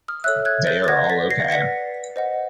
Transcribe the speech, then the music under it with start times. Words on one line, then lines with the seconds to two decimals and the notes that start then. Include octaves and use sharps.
They are all OK.
0.08 D#6 F6
0.24 A4 C#5 E5 E6 F#6
0.45 F#6 G#6
0.67 G6 A6
0.84 A6
0.88 B4 D5 F#5 G#6 A#6
1.09 A6 B6
1.31 A#6 C7
1.52 B4 D5 F#5 B6 C#7
2.16 C5 D#5 F#5